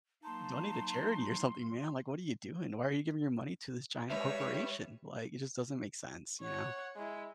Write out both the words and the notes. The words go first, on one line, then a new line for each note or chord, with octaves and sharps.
donate to charity or something, man, like, what are you doing? Why are you giving your money to this giant corporation? Like, it just doesn't make sense, you know?
F#3 A#3 D#4 A5 C6
G3 G#3 B4 C#5 E5
C#5 F#5
G#3 E4